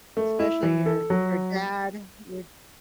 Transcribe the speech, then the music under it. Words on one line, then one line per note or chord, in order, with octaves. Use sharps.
especially your your dad, your
A3
E4
E3
A4
F#3